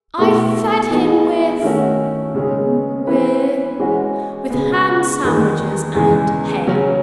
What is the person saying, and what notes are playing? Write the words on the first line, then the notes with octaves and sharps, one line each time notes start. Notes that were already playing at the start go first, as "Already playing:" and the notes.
I fed him with--with--with Ham-sandwiches and Hay.
B2 A3 E4 A4
E3 B3 D#4 G#4
D#3 A3 C#4 F#4
C#3 G#3 C#4 G#4
E3 B3 E4 B4
E3 G#3 C#4 F#4
C#3 G#3 B3
E2 D#3 G#3
E2 C#3 E3 G#3
C#3 F#3 C#4